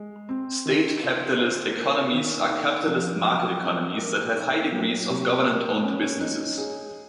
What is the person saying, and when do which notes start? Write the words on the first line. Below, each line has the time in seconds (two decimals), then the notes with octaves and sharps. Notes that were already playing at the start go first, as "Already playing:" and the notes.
State capitalist economies are capitalist market economies that have high degrees of government-owned businesses.
Already playing: G#3
0.29 C4
0.66 D#3
1.02 F4
1.39 C5
1.77 A#3
2.13 D#3
2.50 D#4
2.87 F3
3.25 F#3
3.61 C4
3.99 A#3
4.35 D#4
4.72 F#3
5.09 C3
5.47 A#3
5.83 C#4
6.20 D#4
6.58 G#4